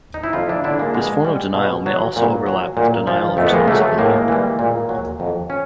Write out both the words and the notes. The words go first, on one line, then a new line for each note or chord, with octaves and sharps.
This form of denial may also overlap with denial of responsibility.
D#4
E4
F2 D#4 F4
D4 E4
D3 F#3 D4 E4
G#3 A#3
B2 G#3
G3
B2
F#3
A#2
F#3
A#2
F3
F2 A3
B3
G#3 A#3
C#3 F#3 A3
A3
A2 G#3 A#3
E3 G3
A#2
F#3
F2
C#4